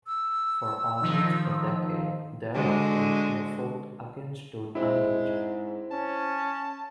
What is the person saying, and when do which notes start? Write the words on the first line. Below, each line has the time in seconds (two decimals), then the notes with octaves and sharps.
For almost a decade thereafter the fort again stood unused.
0.07 E6
1.02 D#3 F3 D#4
2.53 D3 G#3 F#4
4.75 G#3 C4 E4
5.23 G#2
5.91 C#4 A5